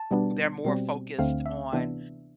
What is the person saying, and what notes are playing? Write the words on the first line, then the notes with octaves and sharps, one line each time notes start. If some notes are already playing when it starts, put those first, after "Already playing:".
they're more focused on,
Already playing: A5
B2 G3 B3 D4
B2 G3 C4
D2 D3 A3 C4 F5
E5
C3 E3 B3 D4 E5